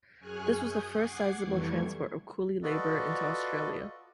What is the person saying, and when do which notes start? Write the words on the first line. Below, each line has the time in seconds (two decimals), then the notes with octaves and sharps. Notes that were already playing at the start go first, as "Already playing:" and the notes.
This was the first sizeable transport of coolie labour into Australia.
0.19 F#2 G#4 G#5 C#6 F6 F#6
0.61 G#5 D#6 G6
0.94 F#5 D6 G#6 C7
1.41 F2 E3 G3 A3 C#6 G#6
2.63 F4 F#4 A4 B4 D5 D#5